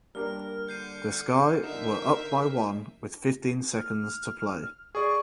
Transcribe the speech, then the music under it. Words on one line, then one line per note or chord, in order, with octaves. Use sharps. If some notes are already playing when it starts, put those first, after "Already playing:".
The Sky were up by one with fifteen seconds to play.
G3 A#3 D4 A#4 F6
D3 G6 C7 C#7 D#7
D4 D#4 A#4 E5 E7
F6
G#4 D5 C#6